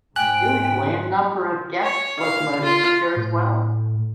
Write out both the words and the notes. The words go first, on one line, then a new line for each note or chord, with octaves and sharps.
Usually a number of guest locomotives appear as well.
G#2 G5 G#5 F#6
C#5
F5
F4
A2